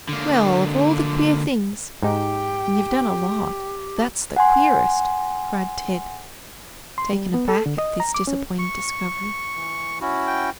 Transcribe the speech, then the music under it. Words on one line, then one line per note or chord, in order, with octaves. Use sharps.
'Well, of all the queer things--and you've done a lot--that's the queerest,' cried Ted, taken aback at this disappointing discovery.
D3 A#3
G#2 D#4 G4 G5
F#5 G#5 C6
C6
G3
B3
A4
D3
D#5
A#5
D6
C#4
C#6
E3
C#4 E4 F#4
G5